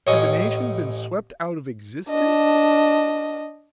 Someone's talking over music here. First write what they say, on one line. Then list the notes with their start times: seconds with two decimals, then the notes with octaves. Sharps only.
Had the nation been swept out of existence?
0.07 A1 A2 C#4 C#5 D#5 G#5
2.10 D4 D#5